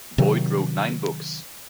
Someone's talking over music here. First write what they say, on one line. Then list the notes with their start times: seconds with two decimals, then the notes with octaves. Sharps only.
Boyd wrote nine books.
0.18 C3 D#3 F#3